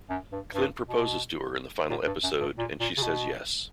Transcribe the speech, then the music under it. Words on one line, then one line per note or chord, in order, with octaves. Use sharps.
Clint proposes to her in the final episode and she says "yes".
F#2
G2
G2
B2
A#2
G2
F#2
G2
A#2
A#2
C#3
B2